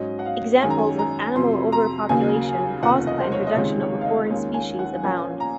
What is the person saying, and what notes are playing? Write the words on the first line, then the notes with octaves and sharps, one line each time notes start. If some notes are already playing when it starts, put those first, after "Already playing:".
Examples of animal overpopulation caused by introduction of a foreign species abound.
Already playing: G#2 F#3 C#4 D#5
F#5
F5
F#2 D#3 G#3 C#4 G#5
A#5
G#5
A#5
F2 C3 F#3 C6
A#5
D#2 C#3 F#3 A#3 G#5
F1 D#2 C#3 F3 F#5
D#5
C5
C#5
D#5
C#2 C3 D#3 G#3 C#5
C#5
F5
D#5
D#2 D#3 G#3 C#4
G#5
F#5
A#1 A#2 F3 A#3 C#4 G#5
A#5